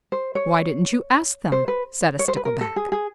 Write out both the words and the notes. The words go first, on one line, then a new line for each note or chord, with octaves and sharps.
"Why didn't you ask them?" said a Stickleback.
C5
C#5
C5
B4
C#5
C5
B4
A#4
A4
G#4
G#4